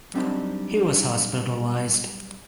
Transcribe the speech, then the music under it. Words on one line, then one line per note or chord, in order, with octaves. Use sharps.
He was hospitalized.
F#3 G3 C4 D4 D#4 C5